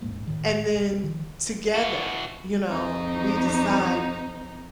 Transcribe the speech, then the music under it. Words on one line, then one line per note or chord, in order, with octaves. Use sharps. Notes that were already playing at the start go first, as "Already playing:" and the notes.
and then together, you know, we decide
D#1 A1 G#2 A#3
A2 D#3
C2
D#3 F3
E3 F#4
F2 D#4